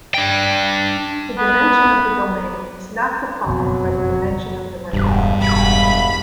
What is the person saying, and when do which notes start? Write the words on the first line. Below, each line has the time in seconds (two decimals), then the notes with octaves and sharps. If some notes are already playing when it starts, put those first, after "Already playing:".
The dimension of the domain is not defined by the dimension of the range.
0.14 D4 G5
1.38 B3
3.46 F#1 F2 B2 F#3
4.93 E1 G2
5.42 E1 B5